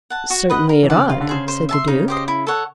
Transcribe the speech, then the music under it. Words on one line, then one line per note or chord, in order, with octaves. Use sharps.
"Certainly it ought," said the Duke.
F#5 A5
F#4
B4 D#5 F#5
A#4
E3
D3 D5 F#5
C#3
C#3 F4
D3
C#3 G#4 C5
C5
E5 A5 C6
C#3 D#4
G4 C5 D#5
E4
A4 C#5 F#5